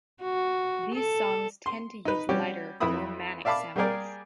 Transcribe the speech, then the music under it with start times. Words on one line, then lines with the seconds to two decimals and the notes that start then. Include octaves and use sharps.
These songs tend to use lighter, more manic samples.
0.22 F#4
0.95 A4
1.66 C6
2.05 D#4 B4
2.29 G3 C#4 F#4 G4
2.80 F2 E4 B4 E5 B5 D#6
3.45 D5 E5 F5 A5 B5 D6
3.76 G3 A#3 G4 G#4 A#4 D5